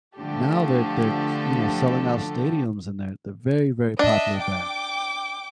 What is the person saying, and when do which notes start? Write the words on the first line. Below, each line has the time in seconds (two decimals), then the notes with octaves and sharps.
now they're they're t you know, selling out stadiums, and they're they're a very, very popular band.
0.17 D3 F3 A3 G4 A4
3.99 D4 D#5 E5
4.41 G5 D6